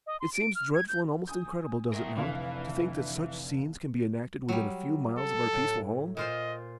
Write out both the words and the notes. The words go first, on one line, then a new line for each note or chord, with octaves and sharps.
It seems dreadful and almost incredible--does it not?--to think that such scenes can be enacted within a few miles of our peaceful home.
D#5
C6
D7
F6
G#6
G6
G#5 D#6 G6
E4 A#4
F1 D3 E3 F5
F#3 G3
A4
A2
A#2 F4 C5 D#5